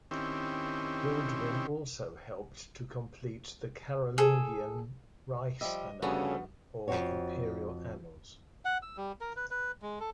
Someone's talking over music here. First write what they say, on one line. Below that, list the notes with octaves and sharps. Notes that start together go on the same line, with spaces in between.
Hilduin also helped to complete the Carolingian "Reichsannalen", or imperial annals.
D#3 C4 C#4 E4 G4
G#4 A4
F3 G3 D#5 E5
D2 C#3 G3 B3 C#4 D4 F#4 A4
F2 G#2 C4 F#4 C#5
F#5
E6
G3
A#4
B4
B4
G#3
A4